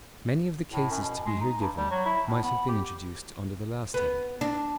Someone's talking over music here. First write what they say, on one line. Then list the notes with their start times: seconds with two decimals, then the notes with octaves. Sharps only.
Many of the cases to be here given, might have been introduced under the last heading.
0.73 A2
0.90 F#2
1.03 B2
1.25 G#3
1.40 D#4
1.60 G2
1.76 G3
1.91 F#3
2.05 E4
2.26 A2
2.43 B3
2.69 G4
3.94 B3
4.41 D4